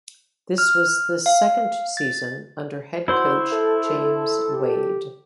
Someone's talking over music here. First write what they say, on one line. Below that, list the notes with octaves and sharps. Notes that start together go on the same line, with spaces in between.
This was the second season under head coach James Wade.
F6
F5
A6
E4 F#4 C5 C6
A4 E5
G4